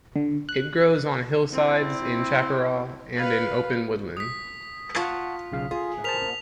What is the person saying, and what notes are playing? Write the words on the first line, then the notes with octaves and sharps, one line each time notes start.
It grows on hillsides, in chaparral, and in open woodland.
D3
F#6
C4 E4
B4 F5
D#6 B6
F4 F#5 A5 C#6
B1 C#3 F5
F4 G#4
A#4 C5 A5 B6 F7